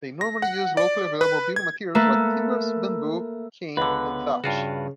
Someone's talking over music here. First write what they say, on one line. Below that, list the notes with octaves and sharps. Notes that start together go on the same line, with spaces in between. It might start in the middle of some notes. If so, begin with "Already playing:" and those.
They normally use locally available building materials like timbers, bamboo, cane and thatch.
A#6
F#5
D5
B4
G#6
A3 A#3 A4 B4
C#2 D3 B3 B4
G2 C#3 F4 F#4